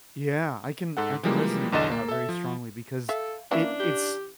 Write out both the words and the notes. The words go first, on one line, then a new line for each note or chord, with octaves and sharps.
Yeah, I can I can resonate with that very strongly because it it's
G#2 A4 F#5
E3 F3 G3 G#3 A#3
B1 E2 D3 D#5 A6 E7
A#3
A4 E5
F3
A4 E5 F5
E3 A#3 C#4 D4 E5
G4